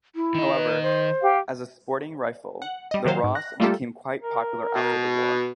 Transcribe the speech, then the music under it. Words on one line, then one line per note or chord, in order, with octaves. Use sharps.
However, as a sporting rifle, the Ross became quite popular after the war.
E4
D#3 D#4
B4
C5
G4 F5
F#5
G3 D#5
C3 D#3 F#3 C5 F5
G#2
F#6 A#6
G3 A3 A#3 F4 G4 A4
A#4
B2